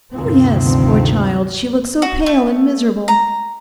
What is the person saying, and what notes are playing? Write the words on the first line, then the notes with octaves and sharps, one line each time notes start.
'Oh yes; poor child, she looks so pale and miserable.
D2 G2 C3 D#3 F3 C4
F#4
A3
A#5